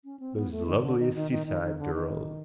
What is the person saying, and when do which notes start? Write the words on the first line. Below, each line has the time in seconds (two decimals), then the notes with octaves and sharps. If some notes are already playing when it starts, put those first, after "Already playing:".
Those lovely seaside girls.
0.04 C#4
0.20 C4
0.36 B3
0.51 A3
0.67 D#3
0.83 D3
0.99 D#3
1.15 D#3
1.31 D#3
1.46 D#3
1.63 D#3
1.79 D3
1.95 D#3